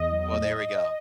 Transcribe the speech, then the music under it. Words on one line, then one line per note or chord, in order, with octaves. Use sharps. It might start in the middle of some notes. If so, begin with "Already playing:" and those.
Well, there we go.
Already playing: E2 D#5
F#3
A2